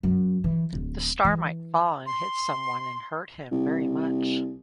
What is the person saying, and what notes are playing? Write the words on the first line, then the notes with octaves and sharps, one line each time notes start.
The star might fall and hit someone and hurt him very much.
F#2
E3
D1
E3
C6
C2